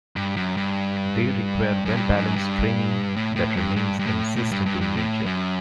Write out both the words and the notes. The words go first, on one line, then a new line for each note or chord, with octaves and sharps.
They require well-balanced training that remains consistent in nature.
G2
F#2
G2
F#2
G2
F#2
G2
A2
A2
G2
G2
G2
A2
A2
G2
G2
G2
A2
F#2